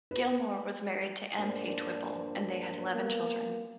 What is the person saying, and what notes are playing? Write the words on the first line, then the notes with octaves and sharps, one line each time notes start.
Gilmore was married to Ann Page Whipple, and they had eleven children.
B4
G2 A#2 D4 C5
A#3 B3